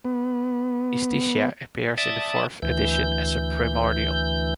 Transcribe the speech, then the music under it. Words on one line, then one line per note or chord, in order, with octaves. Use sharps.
Istishia appears in the fourth edition as a primordial.
B3
D5 E5 A5 D#6
D2 E3 G6